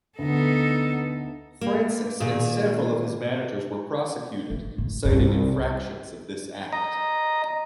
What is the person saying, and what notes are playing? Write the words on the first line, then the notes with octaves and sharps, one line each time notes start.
Francis and several of his managers were prosecuted, citing infractions of this act.
D2 B3 D#4 A4
A#3
A#2 D#3 G#4
A3
A2
C2 G2
D#5 A#5